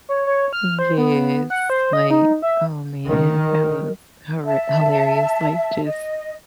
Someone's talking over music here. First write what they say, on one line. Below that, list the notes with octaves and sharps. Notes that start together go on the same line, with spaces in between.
Yes, like, oh man, that was horri hilarious, like, just
C#5
C#5
F6
C5
B3
F#5
C5
D#5
D#4
E5
D#3 A#4
E5 A5
D#5